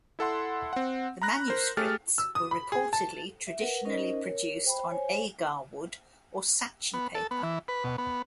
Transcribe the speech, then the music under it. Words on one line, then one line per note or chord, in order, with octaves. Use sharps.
The manuscripts were reportedly traditionally produced on Agar wood or "sachi" paper.
E4 A4 F#5 C6
C4 F#5
A#5 B5 F#6 A#6
A#4 C5
A3 G4 G#4 F6 A6
E6
D#6
B5
G#4
A5
E5
A#4 B4 F#5
C#4 D#4 A#4 C5 D#5
A#4 C#5
C5 G5 B5
C5 C#5 G#5
B3
A4
B3
E3
B4
B2
B3